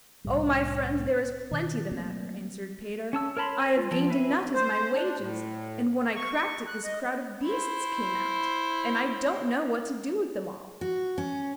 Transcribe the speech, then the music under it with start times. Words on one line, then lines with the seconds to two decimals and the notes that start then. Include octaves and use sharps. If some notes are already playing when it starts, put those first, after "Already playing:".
'Oh, my friend, there is plenty the matter,' answered Peter. 'I have gained a nut as my wages, and when I cracked it this crowd of beasts came out, and I don't know what to do with them all!'
0.24 C2 A2 G3
1.51 B2 D#3
1.91 F#3 A3 A#3 C4
3.13 C#4 A5 E6
3.37 A#4 C#5 A5 B5 C6
3.60 G#5 A#5
3.77 F4
3.91 F3 C4
4.10 B4 E5 G#5
4.54 C5
4.93 D4
5.19 A2
6.15 C#6
6.67 F#6
6.84 D#5
7.43 E4 C5
10.81 F#4
11.18 C#4